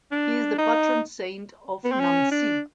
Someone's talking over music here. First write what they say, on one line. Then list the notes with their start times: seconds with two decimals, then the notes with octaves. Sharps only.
He is the patron saint of Nancy.
0.11 D4
0.58 D#4
1.85 B3
1.92 C4
2.00 C#4
2.31 D4